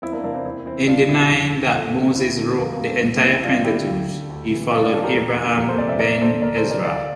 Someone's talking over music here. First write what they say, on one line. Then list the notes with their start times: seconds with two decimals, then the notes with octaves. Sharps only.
In denying that Moses wrote the entire Pentateuch he followed Abraham ben Ezra.
0.02 E2 C4 E4
0.12 A#3 D4
0.23 C3 E3 A#3 D4
0.34 C4 E4
0.45 E2 C4 E4
0.66 E3 C4 E4
0.87 C2 D4 F4
1.09 A#2 E4 G4
1.30 F2
1.52 C3 E3
1.73 E2 F4 A4
1.95 D3
2.15 D2 C4 E4
2.37 D3
2.58 F2 A#3
2.73 A#3
2.80 D3
2.87 A3 C4
3.01 C2
3.22 A#2 C4 E4
3.44 G2 D4 F4
3.65 D3 E4 G4
3.86 D2
4.08 D3
4.30 D2
4.50 C3 E3
4.71 G2 F4 A4
4.82 D4 F4
4.93 E3 F4 A4
5.04 G4 A#4
5.14 E2
5.36 D3
5.57 F2 G4 A#4
5.69 A4 C5
5.78 C3 E3 A#4 D5
5.89 C5 E5
5.99 E2 A#4 D5
6.16 A#4
6.21 D3 A4 C5
6.42 D2 A#4 D5
6.57 A4 C5
6.63 C3 E3
6.70 A#4 D5
6.85 D2 D5 F5